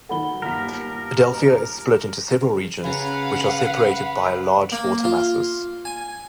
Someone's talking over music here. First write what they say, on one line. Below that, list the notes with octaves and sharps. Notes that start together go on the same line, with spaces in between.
Adelpha is split into several regions, which are separated by large water masses.
D#3 F#3 A4 F#5 B5 G7
G1 D#2 A#4 B6
C#3 C#4 B4 F5 F#5 A#5
A#3
F4
G#5